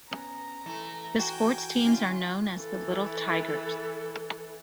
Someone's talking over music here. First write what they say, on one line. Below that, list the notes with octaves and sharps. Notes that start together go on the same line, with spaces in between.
The sports teams are known as the 'Little Tigers'.
B3 C#4 A#5
E3 A3
F#4 G5 G#5
D3 C#4 E4 F4
E3 A4